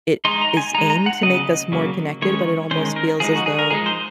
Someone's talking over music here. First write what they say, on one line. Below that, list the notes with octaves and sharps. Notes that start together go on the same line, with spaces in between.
it is aimed to make us more connected, but it almost feels as though
G#3 D#4 C6
A#5
G#5
G#3 D#4 A#5
A#5
F#5
C#3 F#3 A#3 D#5
C#3 F#3 A#3
D#3 G#3 C#4 C#5
D#3 G#3 C#4 C5
A#4
F3 G#3 D#4 G#4
F#4
G#4
A#4
F3 G#3 D#4 G#4
C5